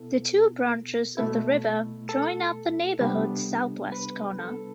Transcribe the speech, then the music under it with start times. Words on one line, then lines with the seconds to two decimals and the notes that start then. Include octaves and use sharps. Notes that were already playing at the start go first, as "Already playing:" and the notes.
The two branches of the river join at the neighbourhood's southwest corner.
Already playing: B2 B3 E4 A4
1.17 B2 A3 E4
2.09 A4
3.00 C2 C3 G3 B3 D4
3.92 B4
4.39 A4